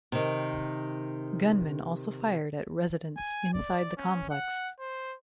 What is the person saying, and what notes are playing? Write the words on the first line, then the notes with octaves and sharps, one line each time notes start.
Gunmen also fired at residents inside the complex.
C3 D#3
G#5
D5
C#4
F#5
C5